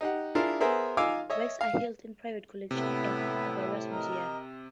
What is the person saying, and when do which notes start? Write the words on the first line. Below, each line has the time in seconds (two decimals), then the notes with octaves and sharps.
Works are held in private collections and in various museums.
0.01 D#4 G4 F#5
0.35 D4 E4 F4 G#4 A#4 D5
0.60 B3 G#4 A#4 C5 E5
0.97 D#4 F4 F5 G#5 D6 E6
1.30 C#5 D#5 E5
1.61 F5
2.71 A2 C3 B3 E4
3.91 A#4 D#5